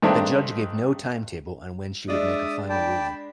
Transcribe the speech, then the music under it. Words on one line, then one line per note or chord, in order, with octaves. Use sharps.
The judge gave no timetable on when she would make a final ruling.
G2 D#3 G#3 A3 C4 D4
G#3 D4 D5 E5 D#6
D5 G5 A5 B5